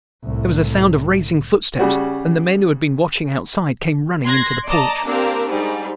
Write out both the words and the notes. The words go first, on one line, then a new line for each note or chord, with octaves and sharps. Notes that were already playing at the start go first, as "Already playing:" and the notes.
There was a sound of racing footsteps and the men who had been watching outside came running into the porch.
C2 A2
C#3 G3 F#4
C6 F#6 G#6 A#6
D5 D#5 A5 A#5 D6
A#3 C4 D4 G4 A#4
G#2 G3